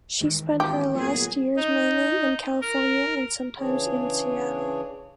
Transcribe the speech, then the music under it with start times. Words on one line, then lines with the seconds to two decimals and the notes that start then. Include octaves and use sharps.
She spent her last years mainly in California, and sometimes in Seattle.
0.21 D#3 E3 G#3
0.60 G#1 G4
0.95 A#2 F#3 B3 G#4
1.56 D#4
2.61 A#4
3.58 C#3 E3 D4 G#4 C#5